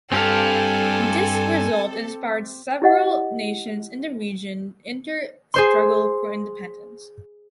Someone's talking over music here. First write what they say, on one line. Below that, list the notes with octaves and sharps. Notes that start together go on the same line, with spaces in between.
This result inspired several nations in the region in their struggle for independence.
G2 C4 G4 A4 F5 G#5
E4 G4 D#5 F#5
G#4 C5 C6